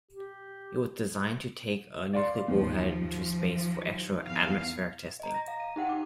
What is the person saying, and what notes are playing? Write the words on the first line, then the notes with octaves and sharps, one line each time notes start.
It was designed to take a nuclear warhead into space for extra-atmospheric testing.
G4
D5 F5 C6
D#2 F3
F3
E2 F5
D#5 A#5
A#6
F5
D#7
D#4 G4 F#5 G5
D6